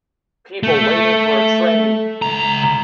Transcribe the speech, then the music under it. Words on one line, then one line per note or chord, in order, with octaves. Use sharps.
People waiting for a train.
A3
C#2 A#5